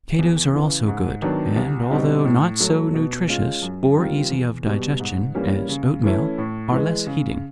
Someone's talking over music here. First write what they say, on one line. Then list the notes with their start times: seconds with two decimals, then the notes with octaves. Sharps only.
Potatoes are also good, and although not so nutritious, or easy of digestion, as oatmeal, are less heating.
0.19 E2
0.54 C#3 E3
0.88 G#2
1.22 D#3 F#3 B3 D4
1.56 C2
1.90 B2 G3 C4 D#4
2.25 A2
2.60 F#3 A3
2.94 B2
3.28 G#3 C#4 F4
3.62 F#2
3.97 D#3 G3 C4 F4
4.31 E2
4.66 B2 G3
5.00 G#2
5.35 E3 G3 A#3 C#4
5.69 C#3
6.03 E3 A3 C#4 E4
6.38 A2
6.72 E3 G#3
7.06 C#3